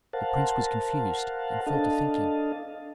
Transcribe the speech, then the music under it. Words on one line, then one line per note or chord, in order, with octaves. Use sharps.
The prince was confused and fell to thinking.
A#4 C5 F5 F#5 A5
D4 A4 D#5 F5 A5